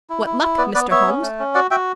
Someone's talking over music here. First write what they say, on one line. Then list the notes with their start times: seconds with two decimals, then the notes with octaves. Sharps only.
"What luck, Mr. Holmes?"
0.10 E4
0.26 E4
0.42 E4
0.58 B3 B4 D5
0.75 B3 B4 D5
0.91 B3 C#5 E5
1.07 C#4
1.22 A3
1.39 C#4
1.55 F#4 D5 F#5
1.71 F#4 E5 G5